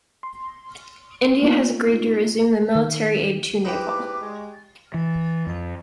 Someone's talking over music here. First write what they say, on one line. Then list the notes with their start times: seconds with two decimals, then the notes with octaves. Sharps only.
India has agreed to resume the military aid to Nepal.
0.23 C6
1.42 A#3 B3 D#4 F4
2.75 D#3
3.65 G#2 D#4 E4 G4 B4 D6
4.21 G#3
4.94 E3
5.47 F2